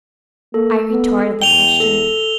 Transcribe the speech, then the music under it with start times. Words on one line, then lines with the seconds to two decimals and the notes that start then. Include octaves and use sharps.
I retorted the question.
0.54 A#3 A4
0.91 B3
1.42 E2 G5 F7 G7
1.80 A4